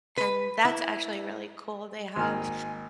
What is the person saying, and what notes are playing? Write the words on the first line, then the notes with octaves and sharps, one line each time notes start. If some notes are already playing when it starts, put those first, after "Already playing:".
and that's actually really cool, they have
B4
E4
G#1 A#3 G#5 F6